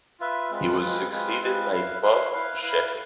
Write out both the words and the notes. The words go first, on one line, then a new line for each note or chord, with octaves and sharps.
He was succeeded by Bob Scheffing.
F4 B4 E5
G#3 C4 F4 B4
G#3 C4 F4 B4
G#3 C4 F4 B4
G#3 C4 F4 B4
E4 B4 F5
E4 B4 F5
E4 B4 F5
E4 B4 F5